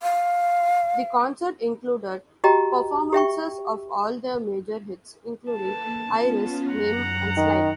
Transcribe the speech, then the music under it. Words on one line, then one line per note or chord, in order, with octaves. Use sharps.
The concert included performances of all their major hits, including "Iris", "Name", and "Slide".
F5
F#4 G4 D#5 G5 A#5
G4 E5 G5 C#6
A#3 A4 B4 A5
B3 C#4 F4
F#2 F#5 A#5
D#3